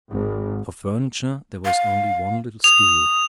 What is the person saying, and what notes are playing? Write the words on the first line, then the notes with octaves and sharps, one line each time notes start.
For furniture there was only one little stool.
G#1
F5
D#6 F7